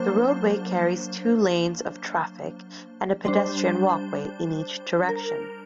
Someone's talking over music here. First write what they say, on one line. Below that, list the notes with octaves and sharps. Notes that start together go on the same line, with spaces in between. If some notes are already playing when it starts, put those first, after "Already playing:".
The roadway carries two lanes of traffic and a pedestrian walkway in each direction.
Already playing: F#3 A#3 D4 C5
G3 D4 C5
A#4